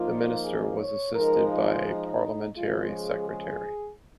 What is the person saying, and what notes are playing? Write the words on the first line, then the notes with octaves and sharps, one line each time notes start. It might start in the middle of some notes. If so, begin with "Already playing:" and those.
The Minister was assisted by a Parliamentary Secretary.
Already playing: F3 A#3 D#4 F4
G#4
C#5
F3 G#3 D#4 A#4
F4
D#4
C#3 F3 G#3 F4
G#4
G#4